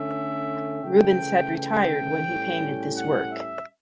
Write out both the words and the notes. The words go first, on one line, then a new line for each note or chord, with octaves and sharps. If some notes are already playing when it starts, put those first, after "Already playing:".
Rubens had retired when he painted this work.
Already playing: D3 A3 C#4 E5
C#3 E3 A3 G5
G5
A2 G3 C#4
F#5
E5